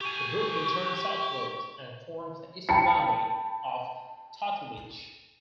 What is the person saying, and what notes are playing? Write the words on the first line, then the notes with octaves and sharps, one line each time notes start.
The brook then turns southwards and forms the eastern boundary of Totteridge.
G4 G#5 C#6
G5 A5 B5 C#7